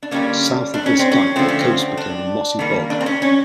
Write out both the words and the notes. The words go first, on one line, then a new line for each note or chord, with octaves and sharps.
South of this dike, the coast became a mossy bog.
D4
D3 G3 A#3 C#4
D4
C#4
C4
C#4
D3 F3 A3 C4
C#4
C4
D4
D#3 G3 A#3
D4
C4
C#4
C#4